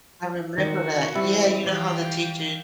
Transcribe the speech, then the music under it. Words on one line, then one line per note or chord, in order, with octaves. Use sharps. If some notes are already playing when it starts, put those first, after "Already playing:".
I remember that. Yeah, you know how the teacher
D#3 C4 F#4
E3 G3 C4 E4
E3 C5 D5 F5 G5